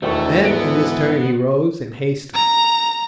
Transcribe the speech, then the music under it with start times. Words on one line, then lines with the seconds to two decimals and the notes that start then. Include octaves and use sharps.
Then in his turn he rose, and hastily.
0.02 E1 D2 D#3 E3 A3 C#6
0.45 G#2 B3 D7
2.34 A#5